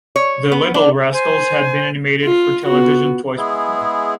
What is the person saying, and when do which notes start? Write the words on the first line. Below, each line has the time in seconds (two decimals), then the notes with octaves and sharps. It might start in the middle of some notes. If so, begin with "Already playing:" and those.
"The Little Rascals" had been animated for television twice before.
0.16 C#5
0.52 B3
0.74 D4
1.12 C5 G#5
2.24 F4
2.66 B3 F#4
3.38 G#3 B3 E4 G#4